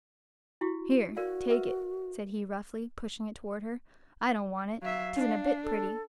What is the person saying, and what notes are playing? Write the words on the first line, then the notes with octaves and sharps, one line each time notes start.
"Here, take it," said he roughly, pushing it toward her; "I don't want it; 'tisn't a bit pretty."
E4 F#4 G4
F#4 A#4 D5 F5
A#4 B4 E5
F#3 E5 F5
D4
A4